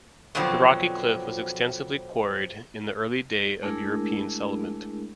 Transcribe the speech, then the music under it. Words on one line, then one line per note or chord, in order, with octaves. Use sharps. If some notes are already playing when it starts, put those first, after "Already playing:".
The rocky cliff was extensively quarried in the early day of European settlement.
F2 B2 D3 F3 F#3 C4
G#3 A3 D4 E4 G#4 A#4